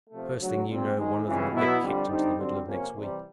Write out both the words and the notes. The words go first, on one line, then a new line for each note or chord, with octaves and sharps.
First thing you know, one of them will get kicked into the middle of next week.
C3 F3 A3
D2 C#3 F#3
A#2 G3 C4
G#2 D#3 G#3
F2 C#3 E3 G#3 C4
B2 F#3 B3 E4
F2 D3 G3
D3 G3 C4 D#4
F#2 D3 G3 C4
F2 C3 F3 A#3 C#4
C3 E3 G3